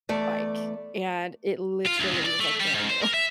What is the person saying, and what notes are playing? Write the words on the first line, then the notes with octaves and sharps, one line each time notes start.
bike and it literally was like brand new.
E2 A3 D5
F4
D2
C2
D5
A3
G3
G#2
C5
A#4
E5